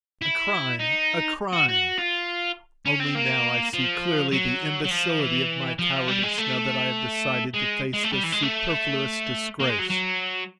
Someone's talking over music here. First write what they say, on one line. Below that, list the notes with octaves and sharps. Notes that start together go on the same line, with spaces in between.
'A crime! a crime!' Only now I see clearly the imbecility of my cowardice, now that I have decided to face this superfluous disgrace.
E4
D#4
F#4
F#4
F4
C#4
C4
A#3
F3
F#3
F#3
F3
E3
F3
G3
G#3
A3
G#3
G#3
A3
G3
E3
G#3
A3
A#3
G#3
F#3
F#3